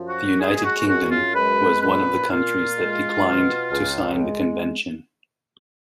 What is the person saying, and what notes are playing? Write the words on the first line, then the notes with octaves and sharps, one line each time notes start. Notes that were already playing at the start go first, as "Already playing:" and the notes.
The United Kingdom was one of the countries that declined to sign the convention.
Already playing: F#2 F3
F#4
G#3 G#4
F#4
F#2 F#4
F4
G#3 B4
A#2 B4
A#2 F4
G#3
B2
C#2
G#3